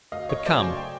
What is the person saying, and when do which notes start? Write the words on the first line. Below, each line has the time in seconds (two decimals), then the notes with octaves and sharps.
But come!
0.12 D2 D#5 F5
0.29 C#5 D#5
0.46 C#3 F#3 A3 C5 D5
0.62 G#5
0.77 G5